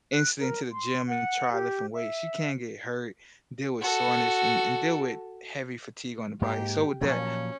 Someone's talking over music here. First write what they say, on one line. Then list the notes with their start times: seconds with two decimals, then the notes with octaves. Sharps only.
instantly into the gym and try lifting weights, you can get hurt, deal with soreness, and and deal with heavy fatigue on the body. So with that,
0.13 F#6
0.40 A#4
0.72 C6
1.08 F#5
1.52 G4
1.93 E5
3.81 F#4 A4
6.41 G#2 A#3 G4
7.01 A#2 F3 F#3 C#4